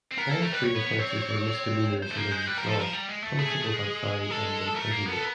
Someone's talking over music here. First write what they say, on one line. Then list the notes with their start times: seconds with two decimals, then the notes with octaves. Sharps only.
All three offences were misdemeanours in English law, punishable by fine and imprisonment.
0.12 C4
0.18 B3 A#4
0.29 A#3 A4
0.41 A3 A#4
0.53 G3 B4
0.64 C#5
0.76 B3
0.87 B3
0.99 C4
2.02 C5
2.12 A3
2.17 A#3
2.32 G#3
2.47 G3 B4
2.58 F3 A#4
2.68 A4
2.78 F3 A#4
2.93 G3
3.08 G#3
3.23 A3
3.39 A3 G#4
3.50 A3
3.62 A3
3.74 G#3
4.31 A4
4.76 A3 A#4
4.91 A#3
5.06 B3
5.11 A4